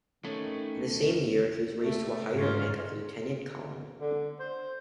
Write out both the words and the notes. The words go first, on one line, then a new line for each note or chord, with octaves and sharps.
In that same year, he was raised to a higher rank of lieutenant colonel.
D#3 A3 C#4
C3 A3
G#2 D#3 C#4 F4
D3
C5